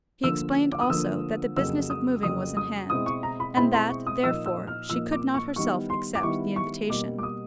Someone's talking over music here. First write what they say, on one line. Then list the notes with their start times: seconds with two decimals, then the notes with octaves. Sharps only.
She explained also, that the business of moving was in hand, and that, therefore, she could not herself accept the invitation.
0.23 D3 F3 A#3 E6
0.72 D6
0.81 D#6
0.90 D3 F3 A#3 E6
1.56 F2 C#3 F#3 A#3 E6
1.90 D#6
2.23 F2 C#3 F#3 A#3 D#6
2.57 D#6
2.90 B2 G#3 C4 E4 D#6
3.06 C#6
3.23 A#5
3.40 B5
3.56 B2 G#3 C4 E4 B5
3.73 C6
3.89 C#6
4.07 D#6
4.24 A#2 F3 A#3 D#4 E6
4.46 E6
4.67 F6
4.90 A#2 F3 A#3 D#4 E6
5.12 D6
5.34 C#6
5.56 D#3 G3 B3 E4 C#6
5.90 C6
6.15 D6
6.23 D#3 G3 B3 E4 C#6
6.56 C#6
6.90 B2 G3 A#3 D6
7.18 D6
7.23 D#6